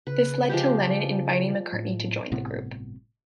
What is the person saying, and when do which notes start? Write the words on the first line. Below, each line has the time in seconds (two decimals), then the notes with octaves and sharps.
This led to Lennon inviting McCartney to join the group.
0.07 C#3 B4
0.49 F3 G#3 G4
1.73 A2
2.31 G1 A2 C3 B3